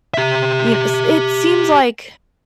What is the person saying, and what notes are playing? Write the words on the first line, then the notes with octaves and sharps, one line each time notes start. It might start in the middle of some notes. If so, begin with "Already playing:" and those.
y kn s it seems like,
G4 E5